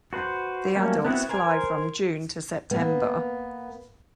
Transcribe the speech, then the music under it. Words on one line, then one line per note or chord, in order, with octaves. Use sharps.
The adults fly from June to September.
F#4 B4 C5
F#3 G3 A3 A#3 C#4
B3 C4 E4 F#4 F#5
A#4 C5 G#5
A#3 B3